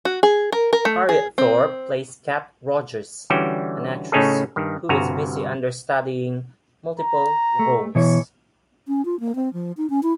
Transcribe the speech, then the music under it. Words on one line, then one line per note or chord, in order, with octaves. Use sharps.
Harriet Thorpe plays Cat Rogers, an actress who is busy understudying multiple roles.
F#4
G#4
A#4
A#4
A3
G#4
C4
D3 E3 G3 C#4 F#4 G5
A2 C#3 C#4 D#4 G#4 A4
G2 D#3
G1 G2 C3 F#4 G#5 A#5
A#5
A3
B2 E3 C#5
C#4
F4
A#3
C4
F3
D#4
C#4
E4